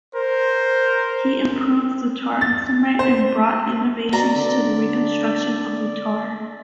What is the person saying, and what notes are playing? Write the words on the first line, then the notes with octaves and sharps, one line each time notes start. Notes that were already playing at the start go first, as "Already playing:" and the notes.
He improved the tar instrument and brought innovations to the reconstruction of the tar.
A#4 C5
A6
C5
B2 D5 A#5
D3